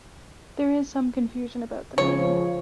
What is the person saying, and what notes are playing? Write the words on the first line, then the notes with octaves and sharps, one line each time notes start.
There is some confusion about the name.
C#2 C#3 F3 C#5